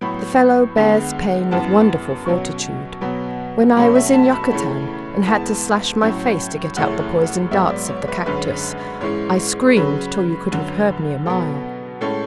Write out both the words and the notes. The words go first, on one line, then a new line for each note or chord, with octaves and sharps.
The fellow bears pain with wonderful fortitude. When I was in Yucatan, and had to slash my face to get out the poisoned darts of the cactus, I screamed till you could have heard me a mile.
A2 F#3 B3 B5
E2 D3 G#3 B3
F#2 E3 B3 A5
B2 F#3 C#4 C#6
B2 F#3 B3
B2 F#3 A3 C#4 B5
E5
A5
B5
C#3 E3 A3 C#4 B5
G#2 E3 B3 A5
A2 F#3 C#4
F#2 C#3 E3 A3 C#4 F#5
G#2 F#3 B3 E5
D5
C#5
B4
F#2 D3 G#3 C#4 B4
G#2 E3 G#3 C#4 C#5
C#3 F#3 C#4 B4
F#2 D3 F#3
B2 F#3 B3 A4
A2 G#3 C#4 A4